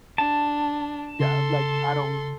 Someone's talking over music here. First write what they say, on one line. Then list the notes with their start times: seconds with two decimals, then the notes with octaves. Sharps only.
yeah, like, I don't
0.18 D4 A5
1.20 C#3 A4 C6